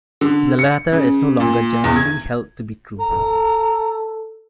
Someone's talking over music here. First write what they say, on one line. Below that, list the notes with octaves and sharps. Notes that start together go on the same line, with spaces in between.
The latter is no longer generally held to be true.
D3
C#7
C#3
A#2
E2
G#6
A4 A#5